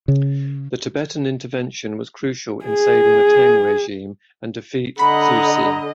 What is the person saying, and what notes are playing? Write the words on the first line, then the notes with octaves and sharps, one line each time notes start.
The Tibetan intervention was crucial in saving the Tang regime and defeat Zhu Ci.
C#3
G#4
D3 D#5 F#5 A#5 B5